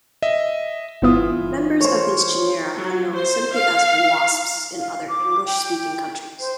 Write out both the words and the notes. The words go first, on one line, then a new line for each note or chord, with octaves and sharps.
Members of these genera are known simply as "wasps" in other English-speaking countries.
D#5 E5
G1 E3 B3 E4 F4 D#6
C5 C#5
F#3
C5
F5
F5
D6
G5
C5